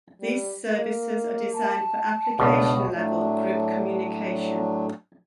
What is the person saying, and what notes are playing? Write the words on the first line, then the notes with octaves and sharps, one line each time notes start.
These services are designed for application-level group communication.
G3
A#3
A5
C#2 B2 D4
A2 F#3 A3 D4